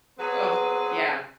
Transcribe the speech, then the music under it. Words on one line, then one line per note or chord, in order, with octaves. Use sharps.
Oh, yeah.
F#3 B3 C4 G#4 B4